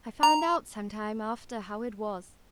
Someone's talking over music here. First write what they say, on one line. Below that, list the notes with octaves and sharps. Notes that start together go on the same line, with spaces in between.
I found out, some time after, how it was.
A#5